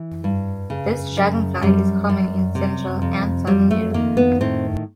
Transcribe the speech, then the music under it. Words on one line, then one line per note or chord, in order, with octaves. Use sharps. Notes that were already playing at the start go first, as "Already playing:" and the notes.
This dragonfly is common in central and southern Europe.
Already playing: E3
G2
C#3
F#2
F#2 G3
F#2
C3
F2
F2 G3
A3
D#3 A#3
B3
A2 C4